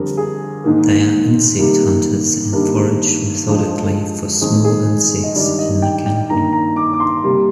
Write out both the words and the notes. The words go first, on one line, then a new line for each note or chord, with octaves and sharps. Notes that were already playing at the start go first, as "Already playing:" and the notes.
They are insect hunters and forage methodically for small insects in the canopy.
Already playing: F2 D3 G3 A#4
G#4
G#2 D#3 A#3
C3 D#3 G3 A#3
G2 D#3 G3 A#3 A#4
G2 F3 G#3
F2 D#3 G#3 G#4
G#4
D#5
G2 D#3 G3 D5
D#5
G5
G5
G2 D#3 A#3 A#5
A#5
D6
D6
C6
C3 G3 A#3